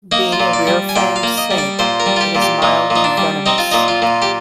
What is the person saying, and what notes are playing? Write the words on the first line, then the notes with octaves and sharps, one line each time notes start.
Being a rear-fanged snake, it is mildly venomous.
A#3 D#4
F4
A#2
D5
G3
G#5
A#2 G5
F5
A#3
D#5
G3
D5
A#2 C5
A#4
G3
F4
G4
A#2
G4
A#2 D#4
A#2
D#4
D4
G3
C4 D#4
F4
A#2 D#4
F4
A#2
G4